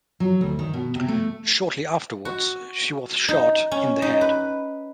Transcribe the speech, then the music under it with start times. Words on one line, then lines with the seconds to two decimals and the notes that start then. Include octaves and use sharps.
Shortly afterwards, she was shot in the head.
0.20 F#3
0.41 D2
0.59 D#3
0.73 B2
0.95 C3
1.08 A3
2.25 F#4
3.29 D#4
3.71 C#4
4.02 D#4
4.21 B4